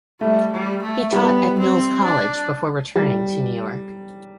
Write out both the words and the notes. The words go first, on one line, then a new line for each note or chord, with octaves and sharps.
He taught at Mills College before returning to New York.
G3 A3
G3
A3
G3 B3
C4
D4
G3